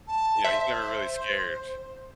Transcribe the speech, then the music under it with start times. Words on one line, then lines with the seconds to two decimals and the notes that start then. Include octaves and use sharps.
you know, he's never really scared,
0.07 A5
0.44 C5 E5